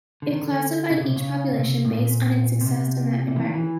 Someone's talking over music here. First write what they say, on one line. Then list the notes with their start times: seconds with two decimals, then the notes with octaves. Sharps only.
It classified each population based on its success in that environment.
0.22 D3
0.33 D#3
0.42 D3
0.91 C#3
1.03 C3
1.16 C#3
1.52 B2
1.58 C3
1.85 A2
1.92 A#2
2.61 C3
3.28 C3
3.36 E3
3.45 D#3
3.54 E3